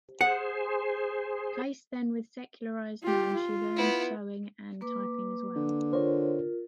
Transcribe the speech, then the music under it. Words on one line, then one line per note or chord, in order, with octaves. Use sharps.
Placed then with secularized nuns, she learned sewing and typing as well.
G#4 C5 F#5
F4 G4
F4
B3 E4
A#3 B4 D6
D3
F4 A#4 C5 C#5